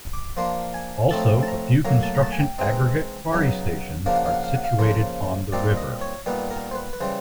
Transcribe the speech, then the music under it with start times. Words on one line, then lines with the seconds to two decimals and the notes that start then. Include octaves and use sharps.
Also a few construction aggregate quarries stations are situated on the river.
0.13 D6
0.37 F3 A#3 D4 C6
0.74 G#5
1.10 A2 F3 A3 C4 D#4 A5
1.43 A5
1.48 A#5
1.85 A2 F#3 A#3 A#5
2.03 A5
2.15 A#5
2.23 A5
2.32 G#5
2.40 G5
2.58 E3 G#3 C4 D#4
3.32 C#3 F#3 B3 D#4
4.06 C#3 F3 A#3 D4 F5
4.16 F#5
4.25 F5
4.34 F#5
4.44 F5
4.54 F#5
4.64 F5
4.79 C#3 F3 A#3 C5
5.52 A#2 G3 C4 D#4 D5
5.77 D#5
6.01 C#5
6.26 A#2 G3 B3 D#4 B4
6.51 A#4
6.71 C5
6.75 B4
6.93 B4
7.01 C#3 E3 G3 C5